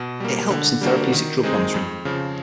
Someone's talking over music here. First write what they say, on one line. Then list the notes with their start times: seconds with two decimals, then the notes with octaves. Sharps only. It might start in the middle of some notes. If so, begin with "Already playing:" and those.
It helps in therapeutic drug monitoring.
Already playing: B2
0.20 G3 A#3
0.50 D3
0.81 G3 A#3 D4 F#4
1.12 D#3
1.43 G#3 C4 D#4 G#4
1.74 F2
2.05 C#3 F3